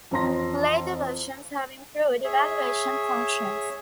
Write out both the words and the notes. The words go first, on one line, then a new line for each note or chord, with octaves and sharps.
Later versions have improved evaluation functions.
F2 E3 C#5 A#5 C6 A#6
G#4 C#5 E5